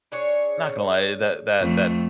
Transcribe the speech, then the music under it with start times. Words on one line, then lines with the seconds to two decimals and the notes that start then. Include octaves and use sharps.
Not gonna lie, that that that
0.12 D4 G#4 C#5
1.61 F2 A3